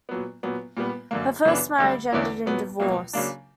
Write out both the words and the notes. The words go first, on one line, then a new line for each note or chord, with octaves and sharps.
Her first marriage ended in divorce.
A#2 F#3 B3
A#2 F#3 B3
A#2 G3 B3
F#2 D3 A#3
F#2 C#3 E3 B3 D4
D2 D3 G3
E2 D3 A#3 C#4 E4
A#2 F#3 B3
C#2 B2 F#3 A#3
C#3 F#3 A#3 D4